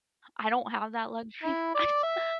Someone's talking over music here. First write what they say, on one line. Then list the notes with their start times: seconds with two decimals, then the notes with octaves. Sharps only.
I I don't have that luxury. I sta
1.43 E4
1.74 D5
2.03 E5